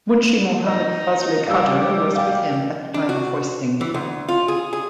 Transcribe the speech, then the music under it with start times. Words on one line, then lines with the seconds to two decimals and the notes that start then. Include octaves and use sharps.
Munshi Mohammad Fazle Kader was with him at the time of hoisting.
0.66 D#4 D#5
1.48 G3 F5 E6
2.16 F5 G5
2.94 D4
3.09 F#4
3.81 E3
3.94 D2
4.29 F4
4.48 G#4
4.73 G#4